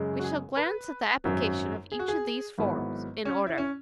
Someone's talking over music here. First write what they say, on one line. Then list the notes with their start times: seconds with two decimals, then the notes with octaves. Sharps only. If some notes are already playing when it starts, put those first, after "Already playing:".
We shall glance at the applications of each of these forms in order.
Already playing: F#2 C#3 G#3
0.19 F#4
0.24 G#4
0.57 B4
1.24 G#1 F#2 F#3
1.92 G#4
1.99 F#4
2.08 G#4
2.58 G#1 G#2 F#3 B3 E4
3.25 C#4
3.47 E4
3.58 C#4